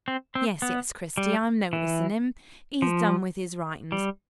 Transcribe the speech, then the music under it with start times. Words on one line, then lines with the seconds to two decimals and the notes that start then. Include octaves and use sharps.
Yes, yes, Cristy, I'm noticing him; he's done with his writings.
0.08 C4
0.35 C4
0.62 B3
1.17 G3
1.73 E3
2.82 F3
3.92 G3